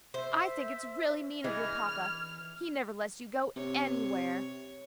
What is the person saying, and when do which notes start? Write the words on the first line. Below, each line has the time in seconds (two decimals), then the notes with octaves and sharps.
"I think it's really mean of your papa; he never lets you go anywhere."
0.14 C5 E5
1.44 E3 D4 G#4 D#5 F6 G#6
3.56 C3 C#5